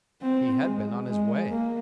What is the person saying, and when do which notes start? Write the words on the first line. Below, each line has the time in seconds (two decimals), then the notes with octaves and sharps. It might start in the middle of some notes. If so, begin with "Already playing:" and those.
He had been on his way.
0.22 C4
0.64 G#3
1.08 G#3
1.50 A#3